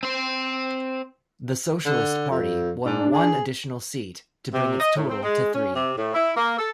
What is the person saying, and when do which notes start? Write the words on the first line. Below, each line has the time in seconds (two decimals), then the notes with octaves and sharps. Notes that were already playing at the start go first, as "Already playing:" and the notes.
The Socialist Party won one additional seat to bring its total to three.
0.03 C4 C5
1.85 D3
2.30 F2
2.85 G#2 D4
3.14 G#4
4.54 C3
4.80 D#5
4.97 A2
5.10 C4
5.23 G#3
5.55 C#4
5.75 C3
5.97 A2
6.14 E4
6.37 A#3
6.58 A4